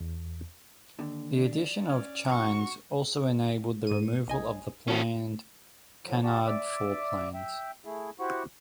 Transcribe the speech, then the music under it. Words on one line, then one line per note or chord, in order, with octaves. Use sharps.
The addition of chines also enabled the removal of the planned canard foreplanes.
E2
D#2 D3
D5
C#4
F#4 C#6
G#2 D#7
B1 D#5 G#5
C4 C#4 F#4 A4 A#4
A2 D3 F3 F#3
F#4 G4 D5 A5
D5 E5 D6
E5 G5
A3 E4 G#4
E4 F#4 G4 C5 F#5 C#6